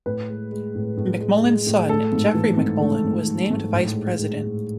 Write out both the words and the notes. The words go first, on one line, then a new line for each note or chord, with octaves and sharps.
McMullen's son, Jeffrey McMullen, was named Vice President.
A2 B4
G#3
G#3
A2
A2
G#3
G#3
A2
A3 A4
G#2
E3
G#2
A3
G#2
E3
G#2
A2
G#3
G#3
A2